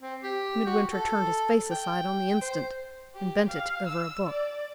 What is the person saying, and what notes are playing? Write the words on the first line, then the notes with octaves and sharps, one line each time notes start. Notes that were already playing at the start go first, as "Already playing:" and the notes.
Midwinter turned his face aside on the instant, and bent it over a book.
C4
G4
F#4
A4
G5
C5
G4
F5
E6
D5